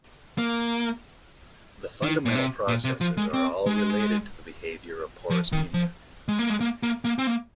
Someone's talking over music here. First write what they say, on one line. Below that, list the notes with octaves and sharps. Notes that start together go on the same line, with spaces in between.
The fundamental processes are all related to the behaviour of porous media.
A#3
D#3
A#2
C3
A#2
C3
F3
G#3
C4
G#3
F3
D#3
F3
G#3
A#3
G#3
A#3
A#3
A#3
C4
A#3